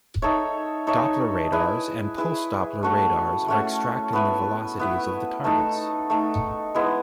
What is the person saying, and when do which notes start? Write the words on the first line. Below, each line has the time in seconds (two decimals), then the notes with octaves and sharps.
Doppler radars and Pulse-Doppler radars are extracting the velocities of the targets.
0.22 D#4 A4 C#5 E5
0.87 D#4 A4 C#5 E5
1.52 E4 G#4 B4 E5
2.18 E4 G#4 B4 E5
2.83 A3 C#4 F#4 A4
3.48 A3 C#4 F#4 A4
4.13 B3 E4 B4 E5
4.79 B3 E4 B4 E5
5.44 A3 D#4 A4
6.10 A3 D#4 A4
6.75 G#3 B3 E4 B4